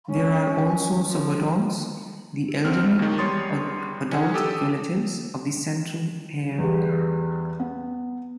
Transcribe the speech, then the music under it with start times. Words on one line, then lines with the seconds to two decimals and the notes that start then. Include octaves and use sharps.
There are also subadults, the elderly, or adult relatives of the central pair.
0.10 C#4
1.06 F3
2.65 C2 C4 F6
2.99 D#2 D#3
3.18 E2 G3 C#5 C6 D#6 A6
4.12 C#4 D#4 G#4 F#5
4.34 G4 A4 D#6 E6
6.58 E2 G3
7.60 B3